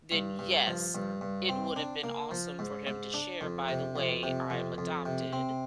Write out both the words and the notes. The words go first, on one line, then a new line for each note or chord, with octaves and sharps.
then yes, it would have been awesome for him to share, "By the way, I'm adopted"
G2
G2
F3
G2
G2
C4
D4
A#3
F3
G#2
G#2
D4
F2
C3
F2
C3
F2
F2
C3
C4